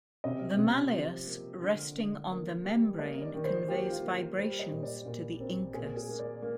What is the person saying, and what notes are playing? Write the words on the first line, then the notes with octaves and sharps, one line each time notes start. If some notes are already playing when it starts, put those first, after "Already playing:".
The malleus, resting on the membrane, conveys vibrations to the incus.
C3 D#5
C3
F3
A#3
D3
D3
A#3
G3
A#3 D#5
D5
D#3
C5
A#3 G4
F4
A#3
F4
G3 C5
D#5
A#2
D5
A#2
C4 A#4
A#2 G#4
G#4
A#3
D5
A#3